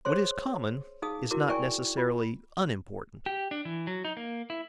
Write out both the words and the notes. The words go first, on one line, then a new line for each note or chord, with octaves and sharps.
What is common is not necessarily unimportant.
G#4 C5 C#5 C6
D#4 G#4 F5 D#6
E4 F#4 A#4 D6
E4 A#4 D5 G5 G#5 C#6
F4
G4
D4
E3
F#3
D#4
A#3
E4